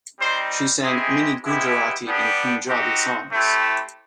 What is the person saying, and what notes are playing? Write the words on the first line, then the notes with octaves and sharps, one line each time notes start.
She sang many Gujarati and Punjabi songs.
G3 C4 D#4 C5
G#3 C4 E4 G4 G#4
G#3 B3 E4 G4
G3 B3 D4 G4 G#4
C4 D#4 F#4 G4
A3 C4 E4 G4